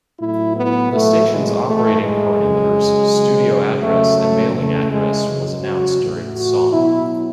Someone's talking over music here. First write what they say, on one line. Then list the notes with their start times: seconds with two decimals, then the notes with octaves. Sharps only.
The station's operating parameters, studio address and mailing address was announced during the song.
0.20 A2 F#3 E4
0.57 B3
0.92 A2 F#3 A3
1.29 G#3
1.65 A2 E3 A3
2.01 G#3
2.37 C#3 F#3
3.10 C#3 F#3
3.82 C#3 F#3 A3
4.19 A3
4.55 C#3 E3 A3
4.91 G#3
5.27 C#3 F#3
5.63 F#4
6.00 A2 E3
6.36 F#4
6.72 B2 F#3 E4